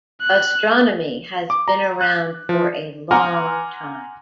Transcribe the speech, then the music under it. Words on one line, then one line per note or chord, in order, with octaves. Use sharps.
Astronomy has been around for a long time.
F#6
D6
A#5
F#6
F3
F#5 G#5 A#5 C6 D6 F6